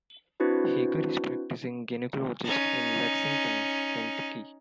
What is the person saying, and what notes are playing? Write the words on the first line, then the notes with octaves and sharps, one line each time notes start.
Hager is a practicing gynecologist in Lexington, Kentucky.
C4 D4 E4 F#4 B4 C5
C#4 D#4